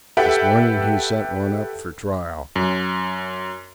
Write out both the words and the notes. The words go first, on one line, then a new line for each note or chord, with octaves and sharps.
This morning he sent one up for trial.
G4 A4 B4 E5 F#5 G5
F#2